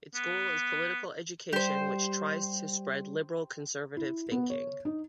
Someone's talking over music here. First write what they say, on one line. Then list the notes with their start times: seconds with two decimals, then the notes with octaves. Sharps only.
Its goal is political education which tries to spread liberal-conservative thinking.
0.15 B3
1.53 G3 G4 C5
3.97 E4
4.32 B3
4.50 C#5
4.85 D#4